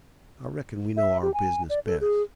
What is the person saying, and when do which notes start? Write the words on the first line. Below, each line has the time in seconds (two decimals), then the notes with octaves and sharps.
I reckon we know our business best.
0.97 E5
1.22 G4
1.34 G#5
1.70 D5
1.86 A4
2.01 G#4